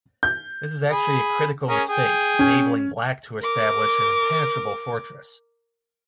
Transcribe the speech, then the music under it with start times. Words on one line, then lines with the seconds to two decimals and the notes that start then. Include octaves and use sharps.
This is actually a critical mistake, enabling Black to establish an impenetrable fortress.
0.23 G6
0.91 G#4 B5
1.68 C#4 G#4 A#4
1.88 G#4 G5
2.39 C#4
3.41 A#4 D6